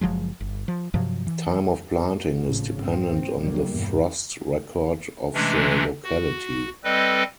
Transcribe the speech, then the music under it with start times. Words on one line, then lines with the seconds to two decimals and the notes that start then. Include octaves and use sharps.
Time of planting is dependent on the frost record of the locality.
0.01 F#1 F3 F#3 G#3
0.40 G1
0.68 F3
0.94 G2 C3 F3 F#3
1.27 E3
2.40 G#1 A2 C#3 F3
2.80 G#2 C4
3.39 F1 C3 F#3 G3 A#3
3.70 E2 G2 B2
5.34 C3 E3 G#3 A3 C#4 D4
6.04 F#4
6.84 G3 C4 A4 B4 D#5